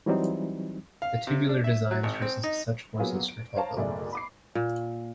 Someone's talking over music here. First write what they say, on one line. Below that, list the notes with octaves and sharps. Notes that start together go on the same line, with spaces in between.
The tubular designs resist such forces for tall buildings.
E3 F#3 G3 C4 D#4
F5
C3
D4
E5
F#3
G#1
C4
D#4
F#3 A#3 B3 F4 G#4
D7
C5 C#5 F5 A5 A#5
F#1 B1 A3 G#4 D5
B5 D6 C7
A#2